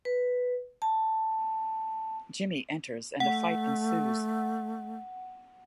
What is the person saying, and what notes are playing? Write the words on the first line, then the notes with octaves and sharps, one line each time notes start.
Jimmy enters and a fight ensues.
B4
A5
A3 F#5